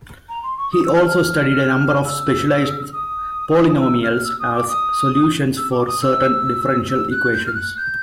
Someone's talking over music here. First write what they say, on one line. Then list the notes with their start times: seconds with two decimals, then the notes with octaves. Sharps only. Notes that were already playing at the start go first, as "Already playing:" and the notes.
He also studied a number of specialised polynomials as solutions for certain differential equations.
0.29 A#5
0.43 C6
0.58 C#6
0.73 D#6
0.84 E6
0.95 F6
1.06 F6
2.05 E6
2.93 D#6
3.81 E6
4.03 F6
4.25 E6
4.40 D#6
4.55 D6
4.69 D#6
5.57 E6
5.72 D6
5.87 D#6
6.01 E6
6.90 E6
7.11 F#6
7.33 G6
7.47 F6
7.55 F#6
7.77 G6